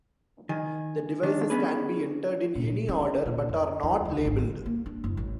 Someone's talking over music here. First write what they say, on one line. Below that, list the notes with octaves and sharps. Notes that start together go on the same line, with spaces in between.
The devices can be entered in any order, but are not labeled.
D#3 G#5
D#3 D4
B3 C#4 G#4 B4
A#2
C#4
A#2
F2
E2
C#2
G#1
D3
A#3
D4
F#1
A1